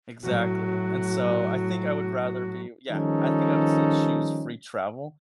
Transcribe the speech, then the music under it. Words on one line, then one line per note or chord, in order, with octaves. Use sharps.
Exactly, and so I think I would rather be yeah, I think I would still choose free travel,
A2 F#3 F#4
D#3 F3 G3 C#4 D#4 A4